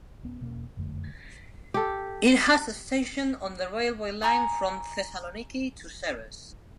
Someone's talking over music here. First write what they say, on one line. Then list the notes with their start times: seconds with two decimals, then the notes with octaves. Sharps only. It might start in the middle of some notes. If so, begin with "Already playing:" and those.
It has a station on the railway line from Thessaloniki to Serres.
0.23 D1 B3 C#4
0.41 E1 B2 A#3 C#4
0.77 F#1 F2 D3 A3
1.74 G4 A4
4.22 G#5 A#5 C#6 D#6